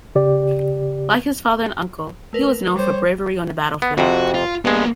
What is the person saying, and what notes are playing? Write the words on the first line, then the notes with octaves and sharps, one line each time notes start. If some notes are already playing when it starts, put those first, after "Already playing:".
Like his father and uncle, he was known for bravery on the battlefield.
C#3 G4 D5
A3 A#4 B4
G3 C5 C#5
B3
F2 C3 F#4
F4
G2 G#3 A#3 B3